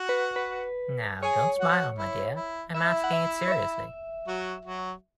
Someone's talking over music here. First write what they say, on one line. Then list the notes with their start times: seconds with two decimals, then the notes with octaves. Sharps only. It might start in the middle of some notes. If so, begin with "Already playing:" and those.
Now, don’t smile, my dear, I’m asking it seriously.
Already playing: F#4 F#5
0.09 B4
0.36 B4
1.22 G#4 C#5 G#5
1.61 F#4 F#5
1.99 E4
2.37 E4
2.74 E4 E5
3.04 F#5
3.13 E5
3.48 C#5
3.52 E5
4.28 F#3 F#4
4.65 F#3 F#4